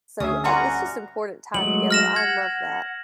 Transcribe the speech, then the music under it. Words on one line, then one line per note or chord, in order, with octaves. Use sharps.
So, it it's just important time together, I love that.
D2 C#4 G#4 E5 D#6
G3 C#4 F#4 F#5 G#5 A#5 C6
F#3 G#3 A3 F#7
F6 A#6 E7
F#5 G#6